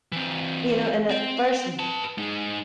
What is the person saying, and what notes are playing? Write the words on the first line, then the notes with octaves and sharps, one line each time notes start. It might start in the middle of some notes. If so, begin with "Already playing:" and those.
you know, and at first
E3 C4
C4
B4 A5
G#3 D#4